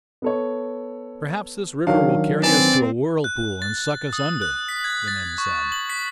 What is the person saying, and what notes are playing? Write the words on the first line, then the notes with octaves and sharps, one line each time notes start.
"Perhaps this river will carry us to a whirlpool and suck us under," the men said.
B3 A4 C#5
D#3 F#3 D4 F5
C4 B4 D5 G#5 E7
F#6
A6
D#6
F#6
B6
G#6
A6
C#6
F#7
B6